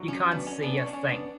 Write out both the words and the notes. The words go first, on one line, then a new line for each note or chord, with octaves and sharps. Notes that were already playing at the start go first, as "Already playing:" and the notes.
You can’t see a thing.
Already playing: D2 D3 F#3
C#4
B3 D4
C#4
B3 D4
C#4
D4
C#4
B3 D4